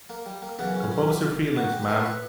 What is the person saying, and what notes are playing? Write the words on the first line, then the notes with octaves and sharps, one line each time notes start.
Compose your feelings, ma’am.
A#3
G3
A#3
F#2 C#3 E3 B3
C#4
C#4
E4
F#4
G4
B4
A#4
B4